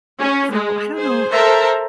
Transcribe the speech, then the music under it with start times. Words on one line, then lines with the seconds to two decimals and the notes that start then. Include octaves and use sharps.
So I don't know
0.20 C#4
0.53 G#3
0.96 G#4 C5
1.31 A4 A#4 C5 E5 A5 A#5